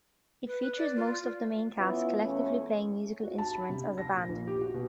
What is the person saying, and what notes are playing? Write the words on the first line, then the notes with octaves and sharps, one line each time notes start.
It features most of the main cast collectively playing musical instruments as a band.
B4
D5
F4
E3 B3 C#4 E4 F4
E2 A3 C#4
F#4
A5
B5
C3
D4
A#6
A#2
A#1
G4
F#4
B2